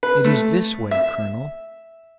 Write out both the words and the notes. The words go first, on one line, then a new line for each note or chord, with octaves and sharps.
It is this way, colonel.
B4
A3
E5